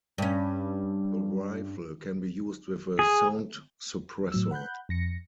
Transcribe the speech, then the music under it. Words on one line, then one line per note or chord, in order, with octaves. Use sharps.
The rifle can be used with a sound suppressor.
G2 C#4
G#4
A2 F#3 E6
F#5 B5 F#6 G6
F2 A#6 C#7